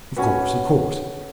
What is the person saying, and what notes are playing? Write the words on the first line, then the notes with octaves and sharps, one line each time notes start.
'Of course, of course.
C#4 F#4 B4